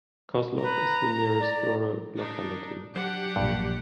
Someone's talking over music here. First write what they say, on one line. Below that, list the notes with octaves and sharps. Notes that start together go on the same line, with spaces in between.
Kozlov is the nearest rural locality.
B4 A#5
D5
D4 D#4
F#3 D4 G4 C5 F#5
A#1 G2